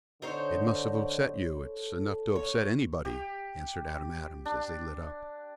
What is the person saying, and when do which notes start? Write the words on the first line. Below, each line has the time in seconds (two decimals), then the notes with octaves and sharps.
"It must have upset you--it's enough to upset anybody," answered Adam Adams, as they lit up.
0.22 D3 D#4 C5 C#5
1.58 A4
2.36 C#5
3.05 G4
4.45 D4